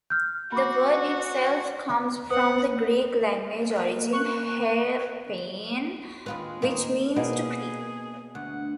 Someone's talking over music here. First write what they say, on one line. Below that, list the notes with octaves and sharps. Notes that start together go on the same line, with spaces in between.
The word itself comes from the Greek language origin "herpien," which means "to creep".
F6 G6
F#4 B5 D6
B4 C5 F#5 D#6
A#3
C#6 F#6
D#2 G#3 F4 B4
D#2 A#3 D#4
B2 A#3 G#4
D2 F#5